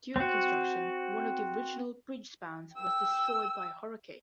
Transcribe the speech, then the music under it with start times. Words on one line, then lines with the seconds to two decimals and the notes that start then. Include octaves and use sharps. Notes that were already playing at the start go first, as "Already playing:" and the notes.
During construction, one of the original bridge spans was destroyed by a hurricane.
0.16 C4 F#4
2.75 G5 E6